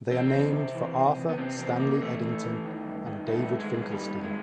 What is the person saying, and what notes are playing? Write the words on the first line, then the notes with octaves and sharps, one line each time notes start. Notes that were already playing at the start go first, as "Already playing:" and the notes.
They are named for Arthur Stanley Eddington and David Finkelstein.
E2 C4
E2
C3
E3
C3
E2
B3
C3 C4
E2 C4
C3 A#3
E2 A3
E3
E3
D#3
G2
D#3
G2 A3
D#3
G#3
G2
D#3 G3
G2
G#3